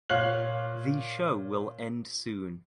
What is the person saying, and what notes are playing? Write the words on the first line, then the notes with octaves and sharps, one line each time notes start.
The show will end soon.
A#2 C#5 F5 F#6 C7 F#7